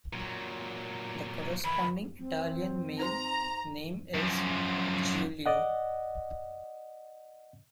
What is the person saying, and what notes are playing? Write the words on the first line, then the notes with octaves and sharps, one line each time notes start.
The corresponding Italian male name is Giulio.
A#2 F#3
D#3 E3 B5
C4
D#4 C5 A#5 C6
F#2 F3
D5 D#5 F#5